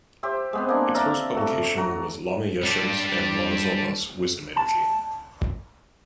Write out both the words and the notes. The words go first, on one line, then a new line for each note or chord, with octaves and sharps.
Its first publication was Lama Yeshe's and Lama Zopa's Wisdom Energy.
G4 C5 E5
G#3 B3 C4
A#3 D4
E5 F5 A5 A#5
A3 F#4
F#4 A#5
G3 D4
A5